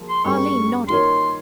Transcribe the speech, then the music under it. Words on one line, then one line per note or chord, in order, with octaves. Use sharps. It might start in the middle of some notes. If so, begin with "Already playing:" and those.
Arline nodded.
Already playing: F3 A#3 F4 G#4
C6
G2 G3 A#3 C#4 G#4 C#6
D#3 A#3 F4 A#4 C#5 C6